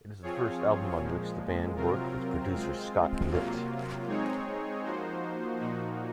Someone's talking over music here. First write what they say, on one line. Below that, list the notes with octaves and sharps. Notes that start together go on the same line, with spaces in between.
It is the first album on which the band worked with producer Scott Litt.
F3 C4 F4 G#4 C#5
A#2 F3 G#3
C3 F#3 C4 F4 A#4
G#3 C4 F4
C3 F#3 A#3 F4
G#3 C4 D#4 G#4 C#5
F3 A#3 D#4 F#4 C5
A#2 F3 A#3 D#4 F#4